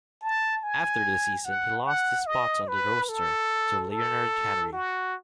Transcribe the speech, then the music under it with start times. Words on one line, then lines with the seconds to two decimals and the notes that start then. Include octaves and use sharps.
After the season, he lost his spot on the roster to Leonard Henry.
0.22 A5
0.63 G#5
1.45 F#5
1.86 F#5
2.27 D#5
2.68 B4
3.09 A4
3.90 A4
4.72 F#4